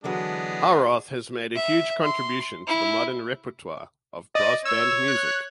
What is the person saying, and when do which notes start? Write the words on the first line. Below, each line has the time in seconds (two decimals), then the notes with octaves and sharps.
Howarth has made a huge contribution to the modern repertoire of brass band music.
0.04 D3 E3 F#3 G#3 B3 D4
1.56 E5
2.03 C6
2.67 E4
4.35 D5 D#5
4.65 C#5 E6
5.08 F#6